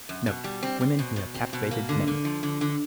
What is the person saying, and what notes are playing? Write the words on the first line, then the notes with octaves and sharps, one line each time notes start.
Note, Women who have captivated men.
F#2
B2
G3
C4
C4
B2
B2
C4
B2
A#3
D3
D3
F3
D3
D3